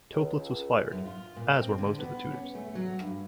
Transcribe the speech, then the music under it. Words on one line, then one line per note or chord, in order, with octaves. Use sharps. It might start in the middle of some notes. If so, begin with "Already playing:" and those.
Toeplitz was fired, as were most of the tutors.
C#2
F#2
F4
A#2
C4
D3
B3
C#4
A3
F#3
G2